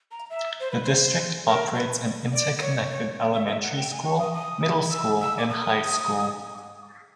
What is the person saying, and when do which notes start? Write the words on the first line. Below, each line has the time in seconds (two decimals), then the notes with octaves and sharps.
The district operates an interconnected elementary school, middle school, and high school.
0.11 A#5
0.30 E5
0.60 C5
0.71 B4
0.83 C5
1.46 A#4
1.75 B4
2.33 D5
2.61 C#5
2.91 C#5
3.19 D5
3.33 E5
3.47 E5
3.62 F#5
3.77 G5
3.91 G#5
4.05 C#6
4.19 D#6
4.34 D#6
4.91 E6
5.21 E6
5.38 D6
5.49 D#6